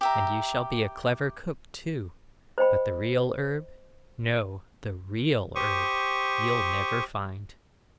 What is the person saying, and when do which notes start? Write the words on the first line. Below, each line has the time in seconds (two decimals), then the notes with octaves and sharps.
And you shall be a clever cook too, but the real herb--no, the REAL herb you'll never find.
0.01 G4 E5 A#5
2.58 C5 D#5 G5 B5
5.55 G4 C5 C#6 D#6